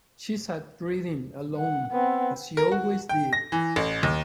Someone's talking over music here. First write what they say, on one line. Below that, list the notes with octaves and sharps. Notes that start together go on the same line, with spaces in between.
She sat reading, alone, as she always did.
F#5
B3 C4
A#4
F#4
G5
A#6
E3
A1
D#2